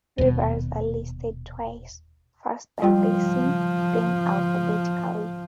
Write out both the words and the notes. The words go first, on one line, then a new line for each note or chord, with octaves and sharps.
Rivers are listed twice, first by basin, then alphabetically.
D#1 B2
F3 G3 F4 G5